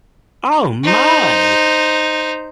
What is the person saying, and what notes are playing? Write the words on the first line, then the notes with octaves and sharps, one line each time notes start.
Oh my!
D#4 C5